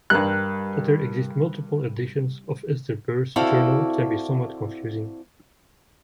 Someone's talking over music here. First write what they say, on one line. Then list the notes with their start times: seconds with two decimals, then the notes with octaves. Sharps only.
That there exist multiple editions of Esther Burr's Journal can be somewhat confusing.
0.10 G2 G3 A#4 F5 F#6
3.36 C4 E4 F#4 A4 D5 F5